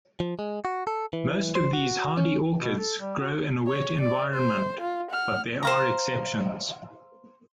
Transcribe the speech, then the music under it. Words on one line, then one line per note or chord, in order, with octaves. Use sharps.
Most of these hardy orchids grow in a wet environment, but there are exceptions.
F3
G#3
F#4
A4
E3
C5
F#4
C#4
B2
A4
G3
F#4
C#5
D5
C5
F4
F#5 F6
C5 F5 A#5